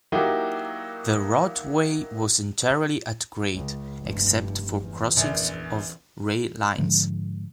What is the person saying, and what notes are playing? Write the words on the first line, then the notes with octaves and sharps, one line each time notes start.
The roadway was entirely at-grade except for crossings of rail lines.
F#3 A#3 D#4 E4 F#4 G4
C#2
F1 G2
E2
A#1 F#2
G#2 D3 F3 G#3